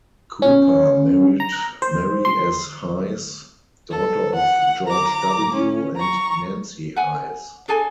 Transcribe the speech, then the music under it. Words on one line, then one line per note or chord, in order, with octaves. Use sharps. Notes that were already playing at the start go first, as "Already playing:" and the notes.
Cooper married Mary S. Hayes, daughter of George W. and Nancy Hayes.
C#4
A#5
C5
C6
A4
F#5
A#5 D6
C#4
A#5 C#6
F#5 G#5
D4 G#4 A4 G#5